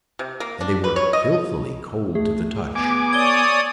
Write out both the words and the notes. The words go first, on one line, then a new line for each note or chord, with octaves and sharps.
And they were filthily cold to the touch.
C3
A#3
D4
B4
C#5
D#5
A3 G#4
B3 G#5 D6
C#5 D5 D#6 G#6 G7